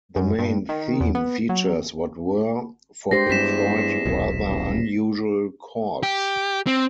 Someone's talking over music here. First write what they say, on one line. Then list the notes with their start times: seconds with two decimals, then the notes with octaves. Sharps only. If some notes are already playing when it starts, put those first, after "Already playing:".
The main theme features what were, for Pink Floyd, rather unusual chords.
0.16 F#2
0.39 G2
0.69 D#3
1.00 E2
1.15 B3
1.49 F#3
3.11 G2 G#3 G4 C5 A#6 C7
3.30 E2 G2 A#6 B6 E7
4.06 D#1 B1
4.49 F#1
6.03 G4
6.67 C4